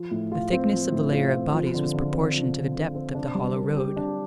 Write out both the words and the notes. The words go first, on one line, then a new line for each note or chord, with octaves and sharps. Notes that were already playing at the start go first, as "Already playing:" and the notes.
The thickness of the layer of bodies was proportioned to the depth of the hollow road.
Already playing: F3
A2
F4
C4
F3
A2
F4
C4
F3
D3
D3
C4
F3
D3
D3
C4
D4
G3
A#4
G4
D4